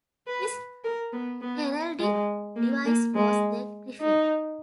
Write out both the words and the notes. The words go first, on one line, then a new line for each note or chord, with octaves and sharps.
His heraldic device was the griffin.
B4
A#4
B3
B3
G#3
A#3
A#3
G#3
D#4